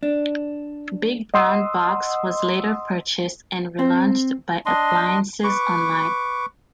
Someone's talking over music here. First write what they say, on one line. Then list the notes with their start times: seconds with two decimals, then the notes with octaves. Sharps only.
Big Brown Box was later purchased and relaunched by Appliances Online.
0.03 D4
1.34 D#5 F#5 C6 D#6 E6
3.79 C4
4.66 D4 D#5 C6
5.44 B4 C#6 D6